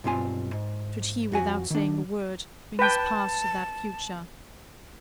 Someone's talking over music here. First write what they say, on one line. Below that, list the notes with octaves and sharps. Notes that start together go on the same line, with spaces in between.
Should he, without saying a word, bring his past to that future?
B1 G2 C4 F4 G#5
G#2
F2 F#4 G#5
D#3 D4
B4 G5 A5